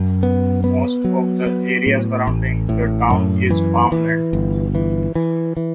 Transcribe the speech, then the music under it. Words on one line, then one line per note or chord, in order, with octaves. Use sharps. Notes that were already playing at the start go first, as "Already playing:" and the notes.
Most of the area surrounding the town is farmland.
Already playing: F#2
B3
B3
F#3
B3
A2
A1
A2
F#2
E3
E3
G1
E3
E3
E3